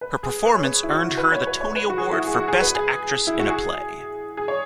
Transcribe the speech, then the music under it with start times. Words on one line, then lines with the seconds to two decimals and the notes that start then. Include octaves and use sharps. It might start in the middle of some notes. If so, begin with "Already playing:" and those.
Her performance earned her the Tony Award for Best Actress in a Play.
0.01 B4
0.23 G#4
0.45 B4
0.55 C#5
0.64 B4
0.83 E4
0.89 F#4
1.03 E4
1.18 B4
1.32 C#5
1.47 B4
1.61 C#5
1.76 B4
1.90 F#4
1.98 G#4
2.12 E4
2.19 F#4
2.27 G#4
2.34 F#4
2.48 G#4
2.61 B4
2.75 G#4
3.27 E4
3.39 F#4
3.50 G#4
4.37 G#4
4.48 C#5